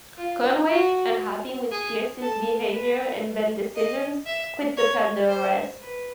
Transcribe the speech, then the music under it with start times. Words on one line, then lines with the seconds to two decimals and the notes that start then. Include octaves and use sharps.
Conway, unhappy with Pierce's behavior and band decisions, quit The Pandoras.
0.18 F4
0.69 F#4
1.71 G#4
2.22 A4
2.72 B4
3.76 D#5
4.26 E5
4.77 C#5
5.29 C5
5.80 B4